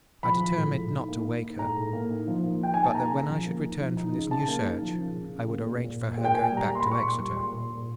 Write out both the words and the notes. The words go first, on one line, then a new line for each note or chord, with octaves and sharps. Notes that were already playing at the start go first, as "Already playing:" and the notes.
I determined not to wake her, but that, when I should return from this new search, I would arrange for her going back to Exeter.
F3 B5
F3
A2
A2
D#4
A#3
A#3
D#4
A2 A#5
A2
A#3
D#4
F3
A#3
D#4 G5
A#3 G#5
A5
A#3 A#5
C#3
F3
A#3
D#4
F3
D#4
C#3
C#3 A5
A#3
D#4
F3
C#3
C#3
C#3
A#3
A#2
A#2
A#3
A#2
G5
A#3 G#5
G3
A#5
A#3
C6
B5
A#2
C#6
A#2 C6
G3
A#2 C6
A#2
A#2